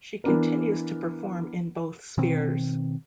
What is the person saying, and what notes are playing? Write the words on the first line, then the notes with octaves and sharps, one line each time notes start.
She continues to perform in both spheres.
E3 B3 D4 A#4
B2 D#3 C4